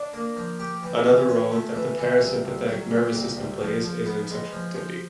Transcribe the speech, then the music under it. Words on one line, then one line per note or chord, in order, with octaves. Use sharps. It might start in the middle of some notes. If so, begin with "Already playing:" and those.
Another role that the parasympathetic nervous system plays is in sexual activity.
Already playing: D4
A#3
F3
G4
E3
E3
C#4
A3
E3
E3
C2
C2
F#3
A#2
C2
C2
F3
F3
B3
G#3
F3
F3